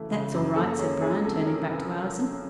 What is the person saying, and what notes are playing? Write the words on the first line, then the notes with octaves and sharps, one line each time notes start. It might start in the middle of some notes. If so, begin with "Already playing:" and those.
"That's all right," said Bryan, turning back to Allison.
Already playing: F#2 C#3 E3 A3
C#3
F#2
A#3 A4
C#4 G#4
F3 G#4
C3 A4
C#4 A#4
C3 B4